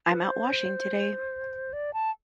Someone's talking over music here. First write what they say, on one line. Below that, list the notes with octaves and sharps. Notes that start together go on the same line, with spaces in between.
I'm out washing today.
B4
C5
D5
A5